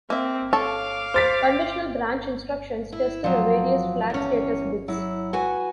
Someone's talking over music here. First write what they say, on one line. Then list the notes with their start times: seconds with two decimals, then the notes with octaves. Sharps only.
Conditional-branch instructions test the various flag status bits.
0.10 A#3 C4 E5
0.53 A4 C#5 F5 A5 D6
1.14 C5 A6 B6
2.92 E4
3.24 F3 F#3
4.10 E2 C#4
4.88 F#3 E4
5.33 F#4 B4 G#5